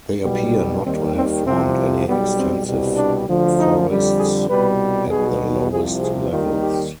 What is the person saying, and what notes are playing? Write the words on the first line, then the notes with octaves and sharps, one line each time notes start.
They appear not to have formed any extensive forests at the lowest levels.
B1 B2 G3 B3
D#2 D#3 G3 C4
C4
C2 C3 F3 C4
B1 B2 G3 B3
C4
C2 B2 G3
D4
D2 D3 F3
D#4
F2 D3 G3
G#4
C2 B2 G3 B4
B1 B2 G3 G#4
C2 C3 F3 G#4
G#4
D#2 D#3 G3 F4
G4